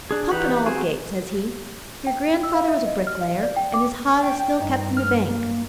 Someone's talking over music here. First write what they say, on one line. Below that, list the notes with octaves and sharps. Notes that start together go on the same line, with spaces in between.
'Pump and Aldgate, says he, 'your grandfather was a bricklayer, and his hod is still kept in the bank.
D4 G#4
E3 D#4 G4 B4 F#5
C4 F#4 G#4 C5 G#5
G5
E6
F5
E5
D#5
F6
F5
D5
G5
D6
G5
G2 D#4
F6
A#3